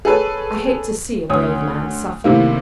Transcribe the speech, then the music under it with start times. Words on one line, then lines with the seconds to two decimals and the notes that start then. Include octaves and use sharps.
I hate to see a brave man suffer.
0.05 G#4 A4 B4 C#5
1.30 D2 C#5 D#6
2.24 A2 C3 D#3 A#3